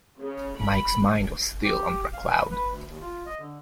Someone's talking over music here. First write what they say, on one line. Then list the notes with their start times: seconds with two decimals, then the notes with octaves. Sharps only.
Mike's mind was still under a cloud.
0.19 C#3
0.59 B5
1.63 G4
2.13 F5
2.28 B4
2.51 B4
2.70 D2
2.88 D#2
3.01 F4
3.26 D#5
3.39 D3